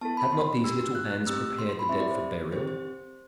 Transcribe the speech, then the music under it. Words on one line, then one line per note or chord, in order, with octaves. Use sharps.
Have not these little hands prepared the dead for burial?
B3 E4 A4 A5
B5
C6
D4 G4 E6
F#6
F#6
A3 C4 G4 E6
C6
C6
B5
C4 E4 G4 E5
D5
C5
C4 G4 C5
C5